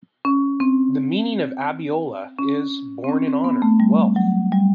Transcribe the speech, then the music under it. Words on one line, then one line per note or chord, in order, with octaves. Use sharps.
The meaning of Abiola is "born in honor, wealth".
C#4
C4
C#4
C4
C#4
C4
B3
A3
G3
F#3
G3